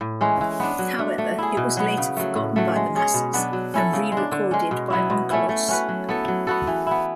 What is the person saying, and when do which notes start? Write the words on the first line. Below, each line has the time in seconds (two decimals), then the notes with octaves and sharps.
However, it was later forgotten by the masses, and rerecorded by Onkelos.
0.01 A2
0.21 E3 G#3 C#4
0.41 E3
0.60 B3 D4
0.79 F#3
0.99 A3 D4
1.18 A3
1.38 E4 G#4
1.57 B2
1.77 F#3 B3
1.98 C#3
2.17 F#3 A3
2.36 A2
2.56 F#3 A3
2.76 G#3
2.95 C#4 G#4 C#5
3.14 B2
3.33 F#3 B3 D4
3.53 F#3
3.74 C#4 E4 A4
3.93 C#3
4.12 G#3
4.17 D4
4.32 D3
4.51 G#3 C#4
4.71 B2
4.90 F#3 B3 E4
5.10 B2
5.30 A3 C#4 E4
5.49 A3
5.69 C#4 F#4 B4
5.89 F#3
6.09 B3 E4 A4
6.28 F#3
6.47 B3 F#4 A4
6.67 E3
6.87 B3 E4